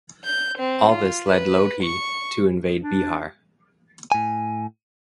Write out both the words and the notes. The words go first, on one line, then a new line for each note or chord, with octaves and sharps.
All this led Lodhi to invade Bihar.
G6
C4
F4
B4
C#6
D4
A2 G#5